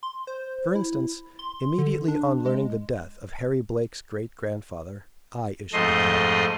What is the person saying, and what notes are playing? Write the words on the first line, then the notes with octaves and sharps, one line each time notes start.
For instance, immediately on learning the death of Harry Blake's great-grandfather, I issued a call.
C6
C5
E4
C6
D3
D4
G#3
F2 G#2 A3 D#5 C6